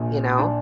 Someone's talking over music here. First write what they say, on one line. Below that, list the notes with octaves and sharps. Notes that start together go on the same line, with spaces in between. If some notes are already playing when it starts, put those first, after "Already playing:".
You know?
Already playing: A#1 A#2
D4